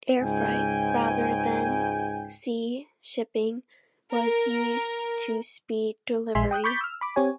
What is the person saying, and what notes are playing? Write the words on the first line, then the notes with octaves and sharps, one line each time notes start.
Air freight, rather than sea shipping, was used to speed delivery.
C#2 G#2 G5 G#5
A#4
A#1 G#3 E5 G#5 C6 B6
G5 D#6 F#6 G6
B5 C#6 D6 G6 A6 B6
E6 F6
B5 D6
C4 G4 C#5 G#5